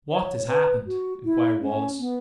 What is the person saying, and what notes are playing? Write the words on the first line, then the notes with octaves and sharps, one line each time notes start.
"What has happened?" inquired Wallace.
C#5
B4
F#4
E4
C#4
B3